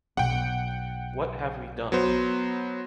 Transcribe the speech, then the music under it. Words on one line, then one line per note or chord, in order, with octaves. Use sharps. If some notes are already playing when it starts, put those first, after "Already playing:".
What have we done?
B1 F#5 G5
F#3 B3 C5